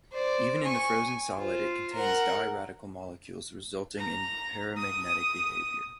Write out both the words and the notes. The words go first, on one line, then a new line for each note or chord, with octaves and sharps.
Even in the frozen solid it contains di-radical molecules resulting in paramagnetic behavior.
C5 D5
G#5 C#6
F4 C5
A#4 F#5
A#5
D#6